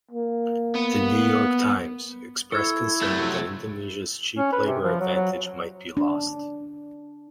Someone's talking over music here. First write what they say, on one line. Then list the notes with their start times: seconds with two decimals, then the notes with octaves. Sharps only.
"The New York Times" expressed concern that Indonesia's cheap labour advantage might be lost.
0.11 A#3
0.75 B3
2.52 E4 A4 C#6 E6 G#6
3.01 C3 F#3 A3 G6
4.38 C#4
4.52 B4
4.67 C3
4.83 F3
5.00 F#3
5.15 F#3
5.97 D4